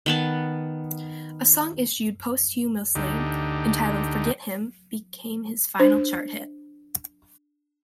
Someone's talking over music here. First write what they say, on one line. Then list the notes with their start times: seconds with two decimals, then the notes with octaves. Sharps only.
A song issued posthumously entitled "Forget Him" became his final chart hit.
0.06 D#3 B3 A5
2.95 D2 D3 D#4 G4
5.80 D4 C5